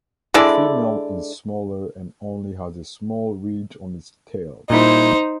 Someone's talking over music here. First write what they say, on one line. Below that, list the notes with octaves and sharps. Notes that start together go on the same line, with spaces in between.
The female is smaller and only has a small ridge on its tail.
D3 G#3 E4 D5
A#2 G3 D#4 E4 C5